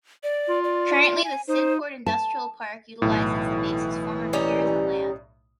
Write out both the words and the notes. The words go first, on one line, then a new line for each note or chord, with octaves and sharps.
Currently, the Sydport Industrial Park utilizes the base's former piers and land.
D5
F4
D5
G#5
D#4 C5
A5
B1 A2 E3
G3 C#4 D#4